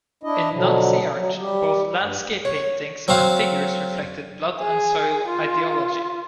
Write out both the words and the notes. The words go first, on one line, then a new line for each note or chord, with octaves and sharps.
In Nazi art, both landscape paintings and figures reflected "blood-and-soil" ideology.
D4 E4 D#5
B2 D3 F3 F#3
F#3
G3 G4
G2
C#5
F#3 C4 F#4 F5
G#4
F4